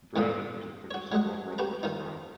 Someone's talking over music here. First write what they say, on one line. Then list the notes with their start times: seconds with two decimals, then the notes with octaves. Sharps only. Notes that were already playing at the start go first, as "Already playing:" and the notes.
Bryan recruited producer Bob Rock for this album.
0.16 E2 G#2 D3 F3 D#6
0.91 F#4 C#5
1.12 F#3 G#3 D#5 F#5
1.58 F#4 G4 B4 A#5
1.83 D#3 F3 D#4